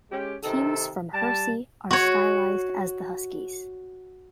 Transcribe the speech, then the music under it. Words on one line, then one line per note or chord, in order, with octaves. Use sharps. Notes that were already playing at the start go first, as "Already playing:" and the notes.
Teams from Hersey are stylized as the Huskies.
G#3 C#4 G4
C3 D#3 A4
G3 A5
F#4 C#5